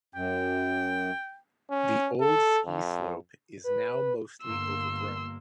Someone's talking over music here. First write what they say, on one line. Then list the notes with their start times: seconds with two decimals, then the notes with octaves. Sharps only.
The old ski slope is now mostly overgrown.
0.15 F#2 G5
1.70 C#4
2.21 A4
2.66 F2
3.64 B4
4.42 G1 D3 A#3 C6 E6